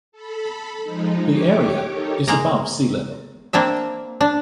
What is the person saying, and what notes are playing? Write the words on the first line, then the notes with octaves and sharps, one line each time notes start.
The area is above sea-level.
A4 B5
F3 G#3 D#4
G4 C#5 D6
D#4 G4 A4 A#4 C#5
G#3 A#3 A#5
A#3 C4 D4 E5
D4